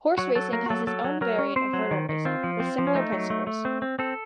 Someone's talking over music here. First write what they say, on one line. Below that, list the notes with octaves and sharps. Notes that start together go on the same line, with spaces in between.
Horse racing has its own variant of hurdle racing, with similar principles.
F#3 F#4
F#3 A4
A#3 A#4
F#4
F#3 A4
F#3 A4
F#3
F#3 A#4
C#4
C4 C5
F#3
D#3
D#3
C4 F4
F3
C4
F3
C#4
A3 D#4
F#3
A3
A3
C4
C4
C4 A4